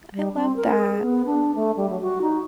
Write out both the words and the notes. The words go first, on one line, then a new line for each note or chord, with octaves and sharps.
I love that,
G3
C4
A#4
G#4
B3
D4
A3
G3
F#3
F#4
D#4